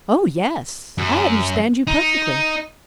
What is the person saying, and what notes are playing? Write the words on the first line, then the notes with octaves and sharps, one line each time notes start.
"Oh! yes--I understand you perfectly."
F#2
D#4